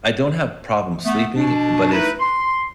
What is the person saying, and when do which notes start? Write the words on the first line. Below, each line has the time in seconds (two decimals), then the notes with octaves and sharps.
I don't have problem sleeping, but if
1.05 A3 B3
1.35 B2 D4
1.92 A3 D#4 E4 B4
2.20 C6